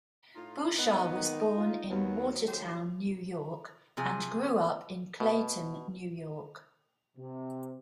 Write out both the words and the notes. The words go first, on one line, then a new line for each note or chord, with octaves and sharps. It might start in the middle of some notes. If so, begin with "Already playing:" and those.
Bouchard was born in Watertown, New York and grew up in Clayton, New York.
A2 D#4 F4
G#2 A#3 B3 D#4
D#3
F4
D#2 F#3 B3
D#2 G4 G#4 C5
C3 F3 G#4
B2
C3